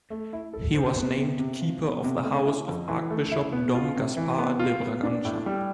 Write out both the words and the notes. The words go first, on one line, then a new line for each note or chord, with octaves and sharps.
He was named keeper of the house of Archbishop Dom Gaspar de Bragança.
A3
E4
A4
C5
B3
C3
C3
F3
B3
C3
A3
E4
F2
E3
A3
E4
B3
F4
C3
E3
B3
F4
B3
D4
A2
G3